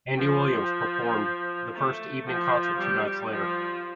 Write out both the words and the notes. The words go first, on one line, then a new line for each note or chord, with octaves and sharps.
Andy Williams performed the first evening concert two nights later.
F3
A3
F3
G3
F3